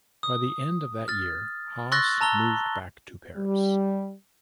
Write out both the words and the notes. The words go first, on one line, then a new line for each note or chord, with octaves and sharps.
By the end of that year Haass moved back to Paris.
D#6
F6 A6
C6 C#6 E6 F#6 A6 A#6
A5 A#5 E6 G7
G3